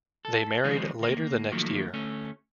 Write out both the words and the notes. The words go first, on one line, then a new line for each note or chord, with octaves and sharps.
They married later the next year.
A4
D#3 F3 G3 G#3 C4 D#4
D2 A#3
D#3 F3 F#3 A3 A#3
D2 A3 C#4